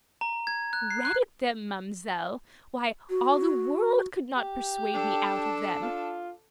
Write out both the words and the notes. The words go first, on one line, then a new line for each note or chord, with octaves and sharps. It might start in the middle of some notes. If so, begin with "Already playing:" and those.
'Credit them, ma'amselle! why all the world could not persuade me out of them.
A#5
G#6
F#6
C7
F#6
F#4
G4
D4 A4
F4